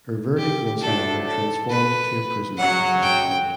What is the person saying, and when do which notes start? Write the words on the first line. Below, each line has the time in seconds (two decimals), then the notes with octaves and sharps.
Her verdict was however transformed to imprisonment by the high court.
0.37 G4
0.81 A2 F#3 A3 D4 A4
1.25 A4
1.70 B4
2.58 F#2 C#3 F#3 F#5
3.02 G5